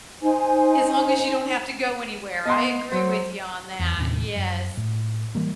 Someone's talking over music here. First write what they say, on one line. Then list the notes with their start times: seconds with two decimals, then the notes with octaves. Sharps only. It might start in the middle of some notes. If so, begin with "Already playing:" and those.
As long as you don't have to go anywhere, I agree with you on that, yes.
0.21 D#4 C5 G#5
2.45 B3 D#5 C6
2.92 F#3 C5
3.79 E2
3.97 D#2 A2 C3
4.36 F#2
4.77 A2
5.35 E3 G3 A#3